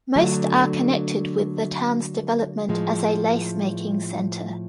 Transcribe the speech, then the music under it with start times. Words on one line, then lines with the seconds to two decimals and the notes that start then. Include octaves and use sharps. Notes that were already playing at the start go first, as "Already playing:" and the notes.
Most are connected with the town's development as a lace-making centre.
0.16 D3 F#3 A3 D4
2.69 A2 F3 G#3